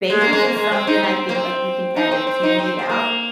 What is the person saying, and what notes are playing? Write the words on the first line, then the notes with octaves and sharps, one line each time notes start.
bacon is something, I think, like, you can kind of candy-it-out
G#3
A#3
G#3
A#3
G#3
C4
D#4
C4
A#3
C4
D#4
C4
C4
D#4
C4
C4
A#3